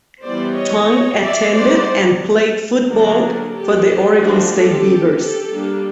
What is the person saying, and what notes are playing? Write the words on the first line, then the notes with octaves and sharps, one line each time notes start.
Tongue attended and played football for the Oregon State Beavers.
E3 G3 B3 C5 D5
C#5 D#5
D5 E5
G3 B3 D4 C5 D5
D3 F#3 A#3 D4 G#4 A#4
G4 A4
F3 A3 D4 F#4 G#4
G4 A4
G4 A4
G3 A#3 D4